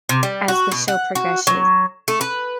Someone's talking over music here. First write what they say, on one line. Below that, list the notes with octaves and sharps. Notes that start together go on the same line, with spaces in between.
as the show progreshe
C3
G3
F#4
B2
F#5
F#4
F#3
A3
B4